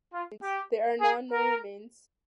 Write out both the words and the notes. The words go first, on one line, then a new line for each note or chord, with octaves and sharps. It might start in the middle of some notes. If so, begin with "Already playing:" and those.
There are now no remains.
F4
G4
G#4
A#4